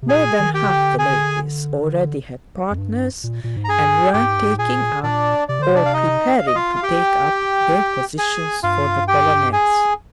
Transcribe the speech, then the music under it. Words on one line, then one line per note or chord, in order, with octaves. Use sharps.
More than half the ladies already had partners and were taking up, or preparing to take up, their positions for the polonaise.
C3
A#2 G#4 G#5
D#3
G4 G5
C3
D3
G#4 G#5
F2
G2
A#2
A#2
G#2
A#5
G2 G#4 G#5
G#2 G4 G5
G2
G#2
A#2 G#4 G#5
A#2 D4 D5
C3 D5
D3 C5
C3
D4 D5
F5
D#4 D#5
F5
D#5
F4 F5
F5
G4 G5
G#4 G#5
G2 F4 F5
G4 G5
G#4 G#5